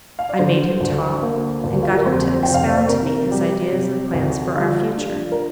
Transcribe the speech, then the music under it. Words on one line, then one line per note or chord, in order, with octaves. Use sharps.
I made him talk, and got him to expound to me his ideas and plans for our future.
F5
D5
D3 C5
D2
A#3
D2
F4
G4
A#4
F2 C5
F1 G5
F5
D5
C5
C3 A#4
G3 G4
C3
D2
G3 F4
D4
A#4